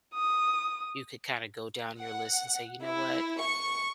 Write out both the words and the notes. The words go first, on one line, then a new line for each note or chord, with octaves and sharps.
you could kinda go down your list and say, "You know what?"
D#6
F#5
E4
C#6